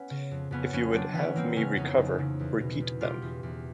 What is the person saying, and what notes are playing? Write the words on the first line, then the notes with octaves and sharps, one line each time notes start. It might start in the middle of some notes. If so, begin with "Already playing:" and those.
If you would have me recover, repeat them.
Already playing: B3 C#4
C#3
F2
F2 B3 C#4
F2 B3 C#4
F#3 C4 D4
E3 B3 C#4
E3 A#3 C4
C#3 B3 C#4
F2 C#4 D#4
F2
C#3
E2
B2
E2
B2 F4 G4
E2
E2